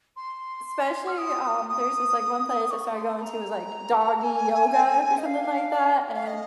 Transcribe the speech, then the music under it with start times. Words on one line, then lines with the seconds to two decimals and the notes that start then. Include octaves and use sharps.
Especially, um, there's just like one place I started going to is like doggy yoga or something like that and
0.16 C6
1.07 F6
1.17 D#6
1.69 D#6
2.65 D#6
2.70 C#6
2.95 C6
3.21 A#5
4.23 G#5
5.17 D#5
5.25 F5
6.14 F5
6.26 D#5